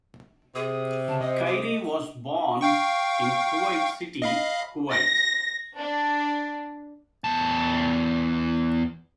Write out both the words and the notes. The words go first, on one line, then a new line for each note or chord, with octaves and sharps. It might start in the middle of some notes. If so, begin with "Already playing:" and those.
Khairy was born in Kuwait City, Kuwait.
C3 G#4 D#6
C#3 A5
D#5 D#6
D6
F5 G5 C#6
D#5 F5 B5
A#6
D4
E2 A5